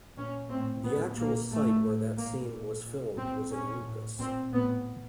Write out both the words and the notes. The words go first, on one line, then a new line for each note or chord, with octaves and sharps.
The actual site where that scene was filmed was in Lucas.
A#2 C#4
A2 C4
A2 B3
A#2 A#3
A2 A3
A2
A#2 A#3
A#2
A#2
A2 C4
A#2 C#4
A2
A#2 C4
A2 B3